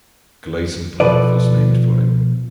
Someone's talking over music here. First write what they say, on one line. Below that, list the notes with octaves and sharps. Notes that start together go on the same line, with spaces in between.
Gleason Park was named for him.
B2 F3 A4 B4 D5